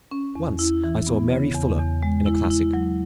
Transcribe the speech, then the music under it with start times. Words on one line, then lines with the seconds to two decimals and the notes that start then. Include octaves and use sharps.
Once I saw Mary Fuller in a classic.
0.11 C#4
0.35 E2
0.59 E4
0.84 E3
1.07 B3
1.31 C#3
1.55 E2
1.78 E2
2.03 G#3
2.26 E4
2.50 E4
2.73 F#3